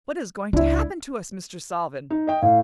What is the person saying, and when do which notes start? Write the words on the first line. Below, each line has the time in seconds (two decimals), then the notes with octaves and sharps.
What is going to happen to us, Mr. Salvin?
0.53 C#2 D4 E4
2.10 D#4
2.27 D#5 G5
2.42 A2 F5